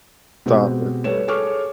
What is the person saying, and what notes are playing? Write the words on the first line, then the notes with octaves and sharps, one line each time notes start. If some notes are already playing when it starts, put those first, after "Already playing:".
stop it.
B2 G#3 C4 F#4 G4
G3 A3 B4 C#5 E7
G#4 A4 C#5 C#6 D6 F6